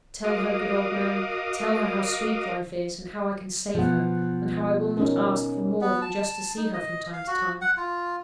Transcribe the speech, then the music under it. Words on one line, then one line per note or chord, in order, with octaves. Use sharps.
Tell her, good old man, tell her how sweet life is; and how I can save her; and how I will not ask for more than just to see her from time to time.
F#4 A#4 D#5 F5 D6 D#6
B2 F3 B3 F#5
C#4 D#4 A#4
B3
A5
D#4
D#5
F5
F#4
F#5
F4